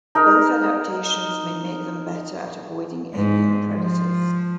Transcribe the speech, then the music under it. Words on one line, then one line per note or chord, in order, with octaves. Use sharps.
Both adaptations may make them better at avoiding avian predators.
D#4 A#4
G#2
F3